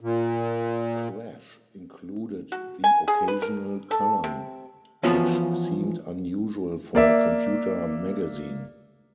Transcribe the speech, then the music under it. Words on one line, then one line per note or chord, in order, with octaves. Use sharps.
"Crash" included the occasional column which seemed unusual for a computer magazine.
A#2
F#4
G#5
G#4
B4
A#4
A4
C3
E3 F3 B3 C#4 F4 F#4
A#3 D5 E5